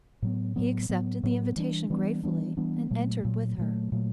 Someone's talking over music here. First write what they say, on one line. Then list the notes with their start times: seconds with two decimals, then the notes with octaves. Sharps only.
He accepted the invitation gratefully, and entered with her.
0.22 A2 F#3 B3
0.56 A2 F#3 B3
0.89 A2 F#3 B3
1.23 A2 F#3 B3
1.56 E3 G3 B3 D4
1.90 E3 G3 B3 D4
2.23 E3 G3 B3 D4
2.57 E3 G3 B3 D4
2.91 A#2 F#3 A3
3.25 A#2 F#3 A3
3.58 A#2 F#3 A3
3.92 A#2 F#3 A3